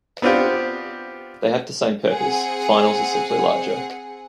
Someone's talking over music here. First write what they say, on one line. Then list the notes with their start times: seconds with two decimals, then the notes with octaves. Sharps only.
They have the same purpose, finals are simply larger.
0.22 B3 C4 D4 F4 G4
2.06 C4 G#4 F#5